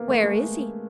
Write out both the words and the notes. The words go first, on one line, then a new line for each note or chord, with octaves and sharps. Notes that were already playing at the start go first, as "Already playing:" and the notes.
"Where is he?"
Already playing: A#3 B3
A3
G#3